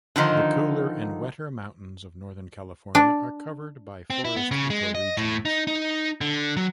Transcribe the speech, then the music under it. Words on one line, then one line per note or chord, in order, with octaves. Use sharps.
The cooler and wetter mountains of northern California are covered by forest ecoregions.
D3 D#3 F3 D#4
D4
C4
E4
B3
C#3
G#3
D#5
A2
D#4
D#4
D3
F#3